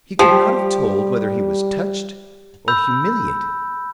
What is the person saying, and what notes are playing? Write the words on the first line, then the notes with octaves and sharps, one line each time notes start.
He could not have told whether he was touched or humiliated.
F3 G3 G4
B5 E6 G6